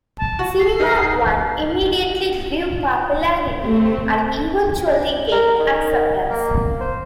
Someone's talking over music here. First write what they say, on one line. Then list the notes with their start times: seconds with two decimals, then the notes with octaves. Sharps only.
Cinema One immediately grew popularity and eventually gained acceptance.
0.18 A5
0.39 F#4
0.60 C7
0.80 D#4 G#4 E5
3.60 A3 C4
4.86 D4
5.32 A#4
5.59 D#3
6.31 A#3
6.81 C5